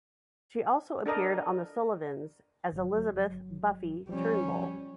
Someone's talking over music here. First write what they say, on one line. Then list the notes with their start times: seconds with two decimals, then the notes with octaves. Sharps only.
She also appeared on The Sullivans, as Elizabeth "Buffy" Turnbull.
1.06 D4 A4 A#4 D#5
2.72 G1 F#3
4.09 F3 G3 C#4